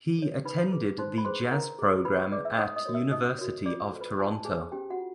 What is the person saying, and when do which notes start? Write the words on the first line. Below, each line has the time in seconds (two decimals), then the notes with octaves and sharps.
He attended the jazz program at University of Toronto.
0.19 A4 C#5
0.45 D#4 B4 B5
0.72 G#4 B4
0.98 D#4 C5 C6
1.18 B5
1.25 G#4 B4 C5 C6
1.51 E4 A#4 A#5
1.79 G#4 B4
2.05 E4 B4 B5
2.18 C#5 C#6
2.32 B4 D5 D6
2.37 G#4
2.45 E5 E6
2.58 D#4 D#5 D#6
2.76 D#5 D#6
2.86 F#4 A#4 C#5
2.94 E5 E6
3.11 D#4 D#5 D#6
3.39 F#4 A#4 C#5
3.65 F4 D5 D6
3.92 A4 C5
4.00 B4 B5
4.18 F4 G#5
4.32 A5
4.45 G#4 A4 C5 G#5
4.72 C#4 G4 G5
4.90 F#4 F#5
4.98 F4